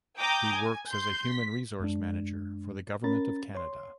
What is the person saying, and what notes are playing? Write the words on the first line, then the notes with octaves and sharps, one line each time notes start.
He works as a human resources manager for the Government of Canada.
G5 A#5 D6 D#6 G6
G#5
C6 G6
B6
F#2 G#3 D4
C#4 A#4 A#5 B5 A6
C#5 C6